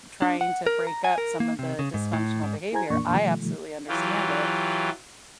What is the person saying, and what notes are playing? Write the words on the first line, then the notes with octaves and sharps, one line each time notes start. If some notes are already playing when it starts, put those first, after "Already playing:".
trying to break up some of the dysfunctional behavior, I absolutely understand it.
D4
F#5
A#4
A#5
G#5
A#4
A#3
C3
C#3
G#2
A2
G#2
E4 G#4 C5 G#5 A#5 G#6
F2 A#2 E3 A#3 D4 C#6
B2 D#3 F3 G3 A3
E3 F#3 F4 G4